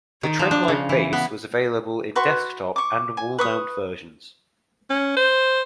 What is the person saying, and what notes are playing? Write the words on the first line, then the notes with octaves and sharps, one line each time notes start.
The Trimline base was available in desk-top and wall-mount versions.
D#3
F3
D4
C#3
E3
B3
F#4 B4 C6 C#6
C#6 D6
G#5
B4 C#6 D#6
C#4
C5